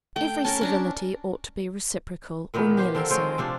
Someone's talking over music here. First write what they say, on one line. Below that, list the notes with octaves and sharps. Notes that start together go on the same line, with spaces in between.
Every civility ought to be reciprocal, or nearly so.
A3 G5
C#4 A4 A#4 A5
C#4 D4 A#5
A#2 D#3 E3 B3
G4 C5
D3 F3 C4 A#4
G#3 C4 C5 C#5
C3 F3 D4